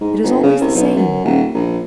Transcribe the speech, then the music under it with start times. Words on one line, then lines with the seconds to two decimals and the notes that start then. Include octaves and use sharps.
It is always the same.
0.01 G#2
0.23 G1
0.43 C#3
0.61 C2
0.75 B1
0.96 F#2
1.25 D#1
1.54 A#1